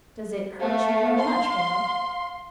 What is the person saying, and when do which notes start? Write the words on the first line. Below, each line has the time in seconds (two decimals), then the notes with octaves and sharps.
"Does it hurt you very much, Hoyle?"
0.60 A3 F5
1.20 C6